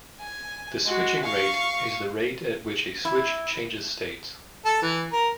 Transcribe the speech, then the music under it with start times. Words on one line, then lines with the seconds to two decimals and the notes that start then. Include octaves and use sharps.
The switching rate is the rate at which a switch changes states.
0.19 G#5
0.85 G#3 F#4
1.24 F5 C#6
3.05 E4
4.65 A4
4.82 E3
5.13 A#4